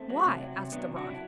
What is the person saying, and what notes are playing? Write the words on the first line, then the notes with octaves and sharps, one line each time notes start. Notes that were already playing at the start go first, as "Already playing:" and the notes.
'Why?' asked the ranee.
Already playing: A3 C4
F#3
C3
F#3
C3
F#3 B3 D4
C3
D4 F#4
F#3 E4